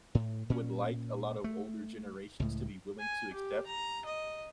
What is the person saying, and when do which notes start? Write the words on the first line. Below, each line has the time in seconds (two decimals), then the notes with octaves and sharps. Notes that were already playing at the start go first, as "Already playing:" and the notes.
would like a lot of older generations to be willing to accept.
0.15 A2
0.50 A#2 C#4
1.44 A3
2.40 C#2 A2
2.99 G#5
3.34 G4
3.66 A#5
4.05 D#5